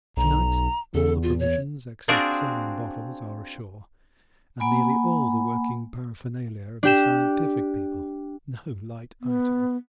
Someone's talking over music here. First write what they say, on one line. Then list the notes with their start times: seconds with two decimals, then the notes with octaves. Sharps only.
To-night all the provisions except some in bottles are ashore and nearly all the working paraphernalia of the scientific people--no light item.
0.17 B1 A#5
0.94 E2 A4
1.23 F4
1.40 C#5
2.08 C4 D4 F4 F#4 G#4
4.60 A#3 F#5 G#5 B5
6.83 D4 G4 E7
9.22 B3